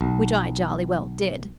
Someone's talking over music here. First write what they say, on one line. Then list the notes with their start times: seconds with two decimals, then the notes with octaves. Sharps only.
Which I jolly well did.
0.01 B1